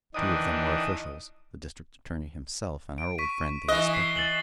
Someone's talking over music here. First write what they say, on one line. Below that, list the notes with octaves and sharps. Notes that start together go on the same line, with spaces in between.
Two of them were officials--the district attorney himself, and our old friend, the inspector.
D#3 E3 D4 D#5 D#6
D7
C#6 B6 D#7
E3 D#5 F#6 G7
B6 C7
A6 F#7 G7